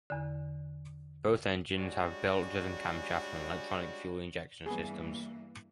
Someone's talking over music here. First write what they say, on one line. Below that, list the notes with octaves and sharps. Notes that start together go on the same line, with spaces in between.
Both engines have belt driven camshafts and Electronic Fuel Injection systems.
E2 D3
G3 G#3 C#4 D4 F#4
G2 E3 A#3 B3 G#4